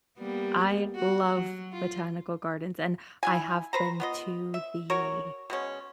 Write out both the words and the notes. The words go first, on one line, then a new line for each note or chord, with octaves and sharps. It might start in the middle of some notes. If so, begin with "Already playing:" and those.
I love botanical gardens, and I have been to the
G3 A#3 B3
F#4
F#3
F4
E4 F4 G#5
B4 C5 A#5
B3 F4 D#5
E5
F#4 A#4 C#5
B2 G#3 C#4